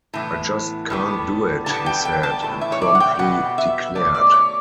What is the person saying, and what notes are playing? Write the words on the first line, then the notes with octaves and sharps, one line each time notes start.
"I just can't do it," he said, and promptly declared.
A2 E3 B3
A2 G3 B3
D3 G3 B3 A5
G5
G5
A5
A2 E3
E5
C#5
D5
F#5
G5
B2 G3 B3 F#5
E5
B2 A3 D5
D5
C#5